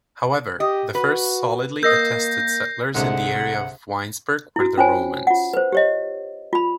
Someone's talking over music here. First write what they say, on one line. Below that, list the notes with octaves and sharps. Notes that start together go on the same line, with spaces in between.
However, the first solidly attested settlers in the area of Weinsberg were the Romans.
G4 D#5
F#4 B4
A#3 A#4 D#5 D#6 G6 A#6 C7
C2 D3 G#3 F#5
E4 F#4
C#4 F4 C5 C#5 G#5
F4 F#5
B4 C5
G4 C#5 D#5
F4 B5